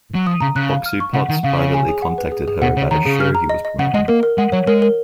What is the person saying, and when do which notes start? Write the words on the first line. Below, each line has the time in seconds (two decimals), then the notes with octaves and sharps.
Boxu Potts privately contacted her about a show he was promoting.
0.15 F#3
0.26 F3 D#6
0.41 C#3 A#5
0.56 C#3 F#6
0.71 F5
0.86 F6
1.00 C#6
1.14 C#3 F#5
1.29 D#3 F#5
1.44 C#3 F5
1.58 C#5
1.74 G#5
1.89 G#4
2.02 F#5
2.18 B4
2.32 G#4
2.48 G#4
2.62 B2 F#5
2.77 C#3 C#5
2.91 D#3 A#5
3.05 C#3 G#4
3.20 F6
3.35 A#5
3.49 D#5
3.65 D#5
3.79 C#3 F#5
3.94 G#3 D#5
4.08 A#3 A#4
4.23 A#4
4.38 G#3 F#5
4.52 F#3 C#5
4.67 G#3 A#4
4.82 A#4